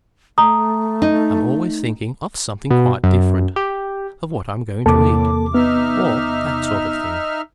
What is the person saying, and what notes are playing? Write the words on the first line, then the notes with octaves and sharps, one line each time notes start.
I'm always thinking of something quite different,--of what I'm going to eat, or that sort of thing.
A3 A#5 D#6
D#4
B2
F#2
G4
E2 A2 C3 A#3 A4 A5 D6
B3 D#4 E5 F6